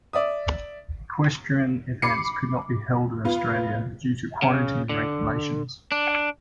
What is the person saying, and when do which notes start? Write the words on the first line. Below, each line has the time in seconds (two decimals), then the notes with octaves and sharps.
Equestrian events could not be held in Australia due to quarantine regulations.
0.13 D5 E5 D#6
2.02 B5 D6 C7 C#7
3.25 B3 F4
4.42 C#3
4.89 D3
5.92 D4